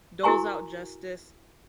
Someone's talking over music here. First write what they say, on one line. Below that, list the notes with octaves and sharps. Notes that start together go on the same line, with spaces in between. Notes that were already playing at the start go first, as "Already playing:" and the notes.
doles out justice,
E4 F#4 A#4 G#5 A#5 C#6